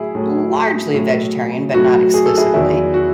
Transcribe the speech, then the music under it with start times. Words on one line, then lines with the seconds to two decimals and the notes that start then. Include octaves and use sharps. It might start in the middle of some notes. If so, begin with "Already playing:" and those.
largely vegetarian, but not exclusively;
Already playing: A2 F#3 E4 G#4
0.15 A2 F#3
0.94 A2 F#3
1.74 A2 F#3 F#4
2.14 G#4
2.26 A4
2.38 E4 G#4
2.54 E2 D#3 F#3 E4 G#4
2.94 F#4